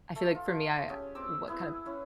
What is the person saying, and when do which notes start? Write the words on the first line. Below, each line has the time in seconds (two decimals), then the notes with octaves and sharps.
I feel like for me, I what kind of m
0.16 A3
0.35 F4
0.89 C#4 G4 G#4
1.15 C4 D6 E6
1.47 B3 E4 G#4
1.86 C#4 E4